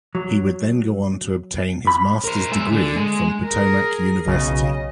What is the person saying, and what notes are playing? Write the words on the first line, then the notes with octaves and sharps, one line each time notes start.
He would then go on to obtain his master's degree from Potomac University.
F#3
B5
A#4 C5
G#3 E5
D3
G#3
G#4 A#4
B1 C#3 D#5